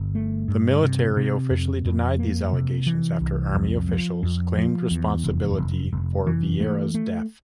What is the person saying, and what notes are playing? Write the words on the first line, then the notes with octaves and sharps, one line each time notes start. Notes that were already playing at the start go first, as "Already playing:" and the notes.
The military officially denied these allegations after Army officials claimed responsibility for Vieira's death.
Already playing: G1
A3
G2
C3
C3
F2
F2
A#3
C3
E3
C2
F2
F3
F2
F3
E2
F1
F1
F1
E3
A3
A3